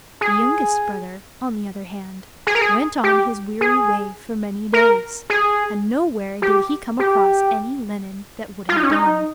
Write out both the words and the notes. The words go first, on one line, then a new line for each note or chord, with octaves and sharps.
The youngest brother, on the other hand, went on his weary way for many days, and nowhere did he come across any linen that would have done.
G#4
G#4
A#4
G#4
G4
G#4
A#4
G#4
G4
G4
F4
D#4
C#4
D#4